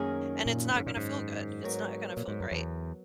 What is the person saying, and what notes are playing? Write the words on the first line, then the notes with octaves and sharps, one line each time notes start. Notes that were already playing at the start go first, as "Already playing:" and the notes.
And it's not gonna feel good, it's not gonna feel great.
Already playing: F#2 D#3 A#3 C#4 G#4
A#2
G#2
A#2
G#2
F#3 B3 F#4 A#4 C#5
A#2
G#2
F#2
E2